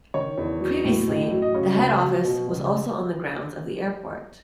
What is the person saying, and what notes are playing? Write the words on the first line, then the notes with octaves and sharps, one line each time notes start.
Previously the head office was also on the grounds of the airport.
D#3 C#5
E2
F#3
A2
A1
F#3
D#5
C#3 C#5
C#2
F#3
B2
C#2